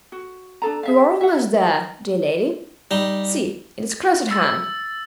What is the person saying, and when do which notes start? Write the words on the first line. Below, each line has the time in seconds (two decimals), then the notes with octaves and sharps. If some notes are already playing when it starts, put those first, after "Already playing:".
"You are almost there, dear lady--see, it is close at hand!"
0.12 F#4
0.62 D4 G#4 A4 A#5
0.83 G#4 E5 F5
1.21 E5 F#5
2.91 G3 D#4
4.31 E6 A6